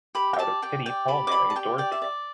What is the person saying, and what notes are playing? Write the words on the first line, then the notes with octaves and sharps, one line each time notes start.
Out of pity, Paul marries Dorothy.
G4 B5
G5
D5 A5
G4 G5
D5 G5
G4 B5
D6
D5 B5
A5
G4 G5
D5 G5
E5
D5